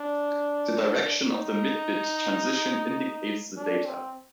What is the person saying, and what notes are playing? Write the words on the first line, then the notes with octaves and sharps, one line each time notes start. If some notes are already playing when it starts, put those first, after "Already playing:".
The direction of the mid-bit transition indicates the data.
Already playing: D4
D#4
D4
C4